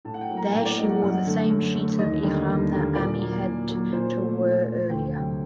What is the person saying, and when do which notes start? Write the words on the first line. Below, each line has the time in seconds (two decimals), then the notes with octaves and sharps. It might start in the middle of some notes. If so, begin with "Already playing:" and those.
There she wore the same sheets of ihram that Ammi had to were earlier.
0.05 A2 A5
0.14 F#5
0.21 G5
0.29 F#3 A#3
0.37 A#5
0.53 A2 G5
0.65 D5
0.77 F#3 A#3 D#5
0.90 F#5
1.02 F#2 F#5
1.26 D3 A3
1.50 F#2
1.75 D3 A3
1.99 D#2 D#5
2.23 D3 G3 A#3
2.47 D#2
2.71 D3 G3 A#3
2.95 A#2 D5
3.20 F#3 A#3
3.44 A#2
3.69 F#3 A#3
3.92 A#2 C5
4.17 A3
4.41 A#2
4.65 A3
4.90 D2 G5
5.13 C3 F#3 G5